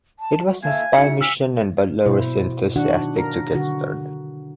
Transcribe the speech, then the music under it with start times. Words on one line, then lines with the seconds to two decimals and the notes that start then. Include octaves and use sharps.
It was a spy mission and Butler was enthusiastic to get started.
0.19 A5
0.50 F#4
0.63 A#2 A4 E5 F5 G#5
0.95 C#4 D#4 F#4 E5 C#7
1.21 F5 G#5 E6 F6 B6
2.06 B2 E4 C5
2.76 D#3 D4 F#4 F#5
3.16 A#4
3.55 D3 F#4